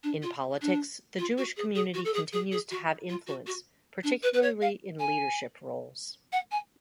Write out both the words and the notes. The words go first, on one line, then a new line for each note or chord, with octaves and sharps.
In politics, the Jewish community continues to have influence, particularly in leadership roles.
D4
F4
D4
F4
F#4
G#4
G#4
F#4
A4
G#4
G#4
G#4
F#4
F4
F#4
F#4
D4
B4
B4
C#5
F5
G#5
F#5
G#5